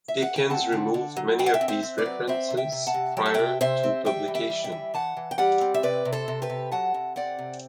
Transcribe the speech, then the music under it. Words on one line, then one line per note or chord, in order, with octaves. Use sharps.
Dickens removed many of these references prior to publication.
E5
F#5
G5
C4 F#5 A5
D3
D3
F#3
D3 G5
F#5
E5 G5
C4
C5 E5
C4
B4 D5
F#3
C4 C5 E5
C3
E5 G5
C3
F#5 A5
C3
F#3 G5
A5
C3 E5 G5
C3 C5 E5
C4
G3 E5 G5
E3
E5 G5
G3
E5 G5
E3
E3 F#5 A5
E3
G5
G3 D5 F#5
C4
E5
C3 B4 D5
C3
A4 C5
C3
G4 B4
C3
F#3 F#5 A5
C3
C4 D5 F#5
C3